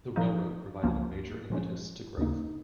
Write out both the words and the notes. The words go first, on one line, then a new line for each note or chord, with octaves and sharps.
The railroad provided a major impetus to growth.
A#2 F3 A#3 D#4
C#2 C#3 F3 A#3 C#4
A#2 F3 G#3 C#4
D#2 C#3 A#3 D#4